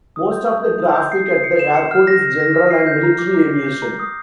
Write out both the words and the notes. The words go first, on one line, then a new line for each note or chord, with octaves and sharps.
Most of the traffic at the airport is general and military aviation.
D#6
G6
D#6
G6
D#6
G6
C7
C7
C#7
E7
C#7
F6
A#6
A#6
A#6
F6
C7
G6
A#5
D6
A#5
C7
G6
A#5
D#6